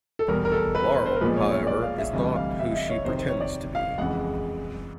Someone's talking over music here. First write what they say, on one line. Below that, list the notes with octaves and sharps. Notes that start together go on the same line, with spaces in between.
Laurel, however, is not who she pretends to be.
A4
E2 B2 G3 A#4
A#4
A4
B4
C5
A#4
B1 A#2 F3 G#3 B4
C#5
C#5
D5
F5
E5
D2 C3 E3 G3 D#5
F5
E5
D#5
E5
C#5
F2 C3 D#3 C5
C5
C#5
D5
F5
F2 C#3 E3 G#3 F#5